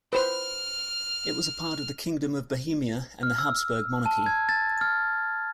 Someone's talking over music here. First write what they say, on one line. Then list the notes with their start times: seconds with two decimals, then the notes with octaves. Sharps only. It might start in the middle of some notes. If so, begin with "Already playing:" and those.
It was a part of the Kingdom of Bohemia and the Habsburg Monarchy.
0.13 B4 C5 F6
3.23 F6
3.38 E6
4.06 A5
4.26 G#6
4.49 A6
4.81 F6